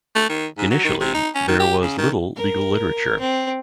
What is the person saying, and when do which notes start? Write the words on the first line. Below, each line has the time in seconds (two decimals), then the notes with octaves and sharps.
Initially, there was little legal literature.
0.15 A3
0.29 D#3
0.58 G#2
0.70 F#3
0.84 D#3
1.01 C3
1.14 D#4
1.35 C#4
1.48 D#3
1.60 G4
1.82 C#3
1.98 D#3
2.36 A#4
3.20 C4